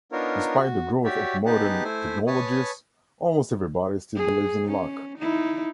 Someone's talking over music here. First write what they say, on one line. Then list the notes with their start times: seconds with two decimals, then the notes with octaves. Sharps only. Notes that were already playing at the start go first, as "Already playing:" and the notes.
Despite the growth of modern technologies, almost everybody still believes in luck.
0.12 B3 D4 D#4 F4 A#4 C#5
0.58 F#4
1.04 F#4 G4 C#5 D5 E5
1.46 B3 D#4 G4 G#4 F#5 A5
1.84 A3 E4 C5 G#5
2.27 B4 C#5 G#5 A5 C#6 D#6
4.16 G#4
4.65 C#4
5.19 D#4 E4